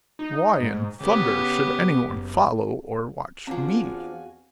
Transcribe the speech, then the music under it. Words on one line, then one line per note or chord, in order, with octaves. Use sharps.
"Why in thunder should anyone follow or watch me?"
D#4
G#2
C#3 B3 G4
F#1
E2 F3 C4 D4 F#4 F5 G#5